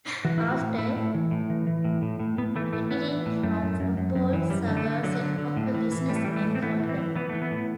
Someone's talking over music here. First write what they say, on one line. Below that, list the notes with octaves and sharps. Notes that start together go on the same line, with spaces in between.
After retiring from football, Sagar set up a business in Bolton.
E3 F#4
A2 E4
F#4
A2
A2 E4
A2
E3
A2
E3
E3
A2
A2
A2
A2 B3
E3 A3
A2 A3
E3 B3
E3
A2
F#2 A3
F#2
F#2
F#2
F#2
E3
F#2 G3
D3
A3
D3
D3 F#3
D3
D3
A2
E3
E3
A2 G3
A3
G3
E3
A3
A2
C4
E3 B3
E3
C4
E3
E3 B3
E3 A3
B3
A2